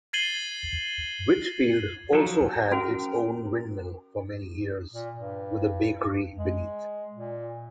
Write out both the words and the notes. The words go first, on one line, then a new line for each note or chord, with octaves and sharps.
Whitfield also had its own windmill for many years, with a bakery beneath.
G#6 A6 C7 D#7 F#7 G7
F3 F#3 A4
C#4 F#4 A#4
A#2
G2
G#3
A#2